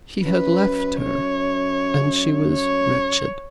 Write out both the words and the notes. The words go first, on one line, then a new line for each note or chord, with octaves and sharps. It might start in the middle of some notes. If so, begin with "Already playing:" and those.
He had left her, and she was wretched.
F#2 B4
C#5
C#5